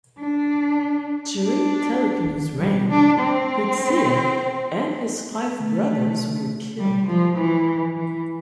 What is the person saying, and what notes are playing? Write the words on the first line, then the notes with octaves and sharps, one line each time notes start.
During Telipinu's reign, Huzziya and his five brothers were killed.
D4
D4
G3
D4
C4
A3
G3
F3
E3
E3